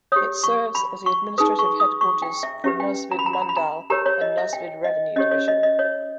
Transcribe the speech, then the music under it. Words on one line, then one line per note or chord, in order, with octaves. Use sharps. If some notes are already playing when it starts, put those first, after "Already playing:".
It serves as the administrative headquarters for Nuzvid mandal and Nuzvid revenue division.
G4 C#5 D#6
C#6
B5
C#6
D#4 G#4 B4 D#6
C#6
D#6
C#6
G5
E5
C#4 G4 B4 E5
G5
A#5
B5
A#5
B5
A#5
B5
A#5
G4 A#4 C#5 A#5
C#5
D#5
E5
G5
D#5
C#4 G4 C#5 D#5
C#5
D#5
D#5
C#5